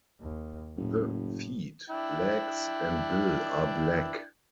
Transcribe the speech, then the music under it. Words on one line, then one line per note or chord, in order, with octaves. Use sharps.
The feet, legs and bill are black.
D#2
F#1 A2
D4 E4 G5